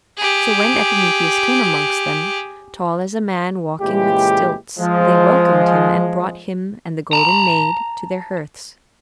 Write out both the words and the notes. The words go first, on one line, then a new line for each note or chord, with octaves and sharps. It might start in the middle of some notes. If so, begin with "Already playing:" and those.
So when Epimetheus came amongst them, tall as a man walking with stilts, they welcomed him and brought him and the Golden Maid to their hearths.
G4 G#4
A#2 C#3 E3 G#3 G4
F3 G#3
A5 A#5